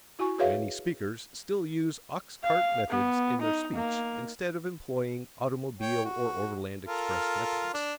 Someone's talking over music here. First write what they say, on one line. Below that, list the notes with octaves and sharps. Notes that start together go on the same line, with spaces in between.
Many speakers still use ox-cart methods in their speech instead of employing automobile or overland-express methods.
E4 F#4 G#5 C#6
F#4 G#4 B4 C#5 E5 F5
F5
B3
D#4
A#3
C#5 G5
F#4
F4 A4 A#4
D4